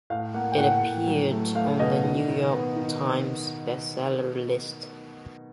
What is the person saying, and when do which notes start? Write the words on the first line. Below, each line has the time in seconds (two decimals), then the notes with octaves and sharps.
It appeared on The New York Times Best Seller list.
0.10 A2 F5
0.34 A#3 F#5
0.52 G5
0.58 A2 F#5
0.83 A2
1.07 F#3
1.31 A3
1.55 A3 F5
1.79 B2 D#5
2.04 D#3
2.28 D#3
2.52 B3
2.76 D#3